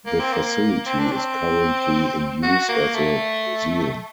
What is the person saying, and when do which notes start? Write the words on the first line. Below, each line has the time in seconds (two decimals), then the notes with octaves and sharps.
The facility is currently in use as a museum.
0.06 A#3
0.20 C4
0.33 A#3
0.86 C4
0.99 D4
1.12 C4
2.43 F#4
2.69 A#3
2.95 A3